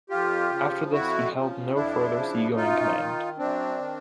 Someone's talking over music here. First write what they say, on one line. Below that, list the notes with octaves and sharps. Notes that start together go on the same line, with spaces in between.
After this he held no further seagoing command.
F2 F4 G4
C#3 F3
F2 E4 F#4
C#3 F3
F2 D4 E4
C#3 F3
F#2 D#4 F4
D#3
F#2 C4 D4
D#3